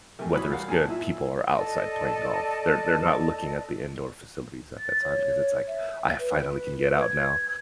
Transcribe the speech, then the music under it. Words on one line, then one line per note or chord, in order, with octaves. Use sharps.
weather is good, people are outside playing golf. They're they're not looking at the indoor facilities at that time because it's, like, I finally can get out now.
C3 A3 A#4 G#5
E3 F#4 C#5 B5 D#6
G3 A#4 C#5 F5 F#5 A#5
A#2 G#4 G#5 A5
E4 F4 E5
A4 D5 D#5 A5
A6
C#5
E5
B4
G#6